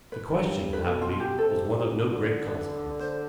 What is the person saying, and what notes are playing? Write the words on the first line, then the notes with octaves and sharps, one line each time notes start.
The question, happily, was one of no great consequence.
B4
G2
B4
B2 A4
F4
F4
G4
C3 A4
D3
B4
C5